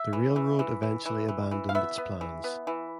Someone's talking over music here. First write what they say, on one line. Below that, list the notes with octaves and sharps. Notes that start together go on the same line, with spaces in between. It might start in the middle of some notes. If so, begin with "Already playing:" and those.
The railroad eventually abandoned its plans.
Already playing: E5
E3
E3
E3
E3
E3
E3
E3
F5
B3 E5
B3
E3
B3
E3